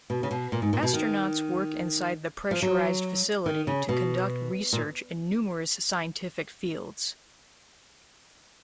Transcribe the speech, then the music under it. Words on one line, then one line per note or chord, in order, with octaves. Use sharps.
Astronauts work inside the pressurized facility to conduct research in numerous scientific fields.
B2
C#3
B2
A#2
G#2
A#2
B2
D#3
F3
F#3
D#3
C#3
B2
A#2